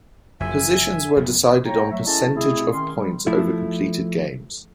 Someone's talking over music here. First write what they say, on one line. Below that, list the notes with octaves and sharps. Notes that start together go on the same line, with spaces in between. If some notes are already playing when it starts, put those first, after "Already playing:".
Positions were decided on percentage of points over completed games.
F#1 F#2 F3 E5 G#5
E1 F#2 B3
G#2 A#3 C#5 G5 A#5
F#3 A3 E5
C#4 E4 G#4 A4 D#5 A5
B2 A3 C4 E4 G#4
D#3 C#4 C6
G3
F3 A3 E4